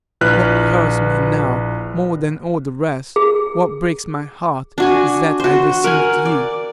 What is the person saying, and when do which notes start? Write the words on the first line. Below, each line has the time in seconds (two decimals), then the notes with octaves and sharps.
What hurts me now more than all the rest, what breaks my heart, is that I deceived you.
0.21 A#1 E4 F4 B4 F6 F#6
3.16 G#4
4.78 D4 F#4 G#5
5.40 F#4 C5
5.84 A#4 F#5 G#5
6.25 D5